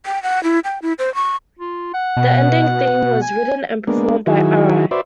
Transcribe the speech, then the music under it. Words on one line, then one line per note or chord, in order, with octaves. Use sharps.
The ending theme was written and performed by Arai.
G5
F#5
E4
G5
E4
C5
C#6
F4
F#5
B2
G#5
G#3 A#3 B3 D4
D#3 F#3 E4 F#4 G#4
F#4 B4 C5 D5 E5